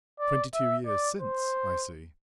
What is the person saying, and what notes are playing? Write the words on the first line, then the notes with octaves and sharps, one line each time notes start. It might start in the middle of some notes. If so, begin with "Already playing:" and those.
"Twenty-two years since, I see."
D5
E5
D5
C5